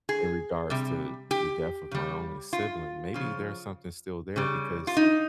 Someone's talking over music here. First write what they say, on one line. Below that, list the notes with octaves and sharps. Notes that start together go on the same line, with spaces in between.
in regards to the death of my only sibling. Maybe there's something still there," because,
G#4
C3 G3
G4
C#3 G3
F4
C#3 F3
C#3 G3
F4
D#4